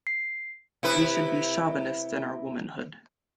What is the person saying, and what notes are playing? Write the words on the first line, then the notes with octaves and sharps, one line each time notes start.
We should be chauvinist in our womanhood.
C7
C3 E4 B4